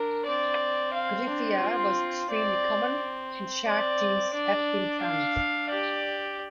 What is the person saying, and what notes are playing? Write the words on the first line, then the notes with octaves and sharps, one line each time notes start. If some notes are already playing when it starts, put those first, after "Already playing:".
"Gryphaea" was extremely common, and shark teeth have been found.
Already playing: D4 A#4
C4 D5
F5
D4
F4
C4 D5
C4 D5
D4 D5
F5
G4 D5